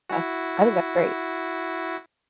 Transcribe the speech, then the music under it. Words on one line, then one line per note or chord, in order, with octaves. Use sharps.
Uh I think that's great.
E4 F#4